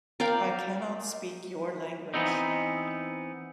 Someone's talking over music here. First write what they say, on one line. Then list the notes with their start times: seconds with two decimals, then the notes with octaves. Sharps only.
I cannot speak your language.
0.20 A#4 D5 F5 G5
2.14 E3 B3 C4 D#4